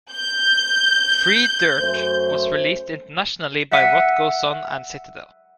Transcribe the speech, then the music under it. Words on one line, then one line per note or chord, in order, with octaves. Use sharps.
"Free Dirt" was released internationally by What Goes On and Citadel.
G6
F#2 A3 C5
E5 F#5 E6 B6 C#7 D#7